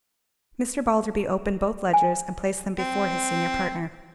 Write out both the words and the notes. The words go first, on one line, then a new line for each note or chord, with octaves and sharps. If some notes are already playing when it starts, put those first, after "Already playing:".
Mr. Balderby opened both ledgers, and placed them before his senior partner.
G#5
C4